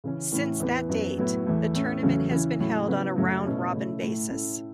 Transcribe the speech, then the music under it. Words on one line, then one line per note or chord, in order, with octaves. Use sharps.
Since that date, the tournament has been held on a round-robin basis.
C#3 E3 C#4
A2 E3 C#4 E4
E2 E3 B3 E4
F#2 F#3 B3
A2 F#3 B3 E4
E2 E3 A3 E4
A2 A3 C#4
E2 C#3 F#3 A3 C#4
C#3 E3 C#4 E4
A2 F#3 C#4 E4
C#3 F#3 B3 E4
F#2 C#3 F#3 A3
B2 A3 C#4 E4
C#3 A3 C#4 E4
A2 A3 E4
A2 A3 C#4 E4